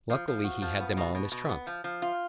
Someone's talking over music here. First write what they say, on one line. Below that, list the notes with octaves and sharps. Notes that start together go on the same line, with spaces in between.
Luckily he had them all in his trunk.
F3
F3
F#4
F3
B3
B2
B2
B2
B3
F3
F3
F4